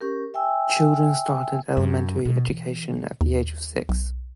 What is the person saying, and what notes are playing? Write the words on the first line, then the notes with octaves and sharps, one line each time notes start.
Children started elementary education at the age of six.
C#4 G4 A#4
E5 G5 G#5 E6
F#2
B2
E3
D#2
B1